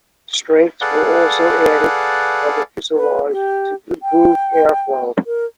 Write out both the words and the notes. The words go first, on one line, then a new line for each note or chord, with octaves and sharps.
Strakes were also added on the fuselage to improve airflow.
G#4 A4 B4 D5 F5 F#5
B4
G4
G5
A#4